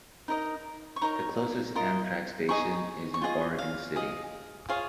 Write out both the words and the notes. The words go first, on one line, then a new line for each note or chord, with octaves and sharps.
The closest Amtrak station is in Oregon City.
D#4 A#4 D#5
C#6
D#4 A#4 C#5 A#5
F4 A#4 D#5
D#4 G#4 D#5 C#6
C#6
F4 G#4 D#5
F5
G#4 D#5
F4 G#4 C#5 F5